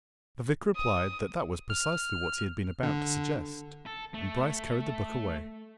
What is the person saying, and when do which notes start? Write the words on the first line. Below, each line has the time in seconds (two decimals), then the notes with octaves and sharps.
The vicar replied that that was precisely what he had been about to suggest, and Bryce carried the book away.
0.76 D#6
1.70 F6
2.83 D3
3.86 A4
4.14 A3